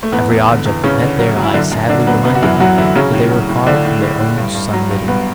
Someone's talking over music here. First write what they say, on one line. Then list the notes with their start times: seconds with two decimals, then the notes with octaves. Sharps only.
Every object that met their eye sadly reminded them that they were far from their own sunny Italy.
0.03 A3
0.12 E2 B3
0.30 E2
0.48 D3
0.66 E2
0.83 E2 C#3 C#4
1.01 D3
1.19 F#3
1.36 F#3
1.43 E4
1.54 F#2 D3 D4
1.72 F#2
1.89 D3 D4
2.07 F#3 B3
2.25 F#2 B3
2.35 F#4
2.43 F#2 E3 E4
2.60 F#2 F#3 F#4
2.78 D3 E3 E4
2.95 C#3 F#3 C#4
3.13 A2
3.31 F#3
3.49 A2
3.67 A2 D3 D4
3.85 A2
4.02 A2
4.19 A2
4.38 G2
4.55 G2
4.73 F#3
4.91 G2
5.08 G2 B3